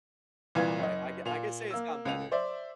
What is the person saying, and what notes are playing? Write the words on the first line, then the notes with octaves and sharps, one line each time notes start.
But I I c I can say it's gotten better.
C2 A#2 E3 B4 F5 G#6
F#1 D#5
A#2 F7
A#3 E6
C#2 F7
C5 D5 E5